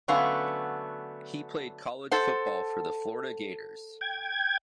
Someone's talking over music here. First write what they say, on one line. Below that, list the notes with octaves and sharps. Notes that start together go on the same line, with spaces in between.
He played college football for the Florida Gators.
D3 F#3 A3 B3 C#4 F5
A4 C5 F#5
G5 G#6